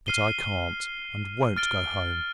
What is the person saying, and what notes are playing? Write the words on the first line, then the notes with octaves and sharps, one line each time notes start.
But I can't, and won't, go home.
F6 C7 D#7 G7
F6 A6 D7 G7